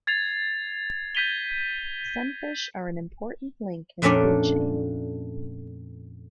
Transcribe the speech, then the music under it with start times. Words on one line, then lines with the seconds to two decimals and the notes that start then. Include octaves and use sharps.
Sunfish are an important link in the food chain.
0.07 G#6 A6 C7 F7
1.15 G6 G#6 B6 D#7 F7 G7
4.02 F2 A#2 A3 C#4 D4 D5